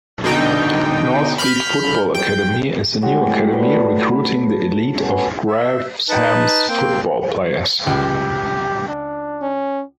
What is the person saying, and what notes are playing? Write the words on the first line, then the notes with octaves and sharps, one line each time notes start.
Northfleet Football Academy is a new Academy recruiting the elite of Graveshams football players.
B2 D3 D#4 G5
B5 F6 G6
G5
A2 G#3 F#4 G4
A4 B4 C5 D5
B5
A3 B3 C#4
E5
D#4 B4 A5
A#3 C4 G5
C#2 G4
D4
C#4